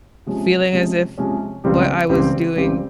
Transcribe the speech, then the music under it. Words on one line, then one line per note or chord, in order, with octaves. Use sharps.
feeling as if what I was doing
C3 F3 G#3 C#4
C3 F3 G#3 C#4
C3 F3 G#3 C#4
C#2 C#3 G3 C4 G4
C#2 C#3 G3 C4 G4
C#2 C#3 G3 C4 G4